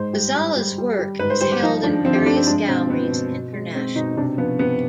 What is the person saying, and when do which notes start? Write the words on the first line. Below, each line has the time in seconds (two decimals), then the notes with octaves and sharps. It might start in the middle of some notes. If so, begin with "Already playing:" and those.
Ghazala's work is held in various galleries internationally.
Already playing: G#2 G#3 C5
0.13 G3
0.35 G3
0.57 G3
0.78 G3
0.99 G3
1.19 G#2 B4
1.30 C5
1.41 G3 C5
1.52 G4
1.62 F3 D#4
1.83 F3 D4
2.05 F3 C4
2.15 G4
2.26 F3 D4
2.36 C4
2.47 G#3 D4
2.68 B2 C4
2.90 B2 B3
3.10 B2
3.32 B2
3.53 G#3
3.74 G#3 C4
3.95 B2 D#4
4.17 C3 D4
4.38 F3 B3
4.59 C3 B3